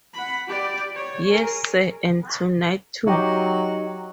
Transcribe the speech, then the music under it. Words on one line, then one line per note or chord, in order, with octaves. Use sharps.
Yes, sir, and tonight, too.
F#5 B5
G4 D5
C#5
G#4 A#4
F#3 D#4 G4